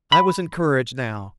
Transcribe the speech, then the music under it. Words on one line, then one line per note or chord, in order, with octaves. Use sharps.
I was encouraged now.
B5